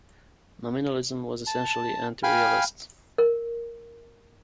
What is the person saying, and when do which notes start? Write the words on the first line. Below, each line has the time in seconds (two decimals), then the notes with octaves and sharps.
Nominalism was essentially anti-Realist.
1.47 A5
2.23 F5 G5 G#5 B5 F6
3.18 A#4